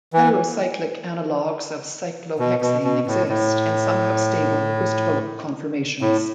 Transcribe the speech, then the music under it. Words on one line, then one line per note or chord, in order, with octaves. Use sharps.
Heterocyclic analogs of cyclohexane exist, and some have stable twist-boat conformations.
E3
B2
B2
B2
A2
A2
A2